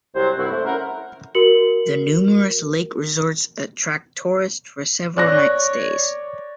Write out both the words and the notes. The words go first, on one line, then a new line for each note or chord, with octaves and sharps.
The numerous lake resorts attract tourists for several-night stays.
C2 C3 F#3 C5
C2 G2 E4 F#4
A3 C5
C#4 E4 A#4 F#5
F#4 A#4 C#7 F#7
C#5 D5 F#6 A#6